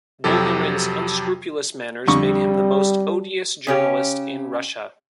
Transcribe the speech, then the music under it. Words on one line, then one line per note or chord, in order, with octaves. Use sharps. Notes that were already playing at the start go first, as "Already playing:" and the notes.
Bulgarin's unscrupulous manners made him the most odious journalist in Russia.
F2 C3 F#3 G4 A4
F2 D3 G3 C#6
C#3 C#4 G4